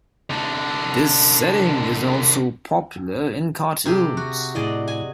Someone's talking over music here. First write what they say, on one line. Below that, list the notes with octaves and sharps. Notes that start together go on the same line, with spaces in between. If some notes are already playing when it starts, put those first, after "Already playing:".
This setting is also popular in cartoons.
C2 D3
C3 G4 G#4
F#4
A2 E4 G#4 D5 D#5
G#5